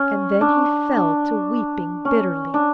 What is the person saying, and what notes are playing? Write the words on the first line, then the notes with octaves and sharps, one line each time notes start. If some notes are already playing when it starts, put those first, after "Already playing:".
And then he fell to weeping bitterly.
Already playing: C#4
D4
D4
C#4
D4